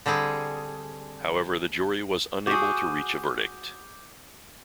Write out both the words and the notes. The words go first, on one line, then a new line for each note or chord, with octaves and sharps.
However, the jury was unable to reach a verdict.
D3 G3 C4 G#4
F#4 G#4 D6 G6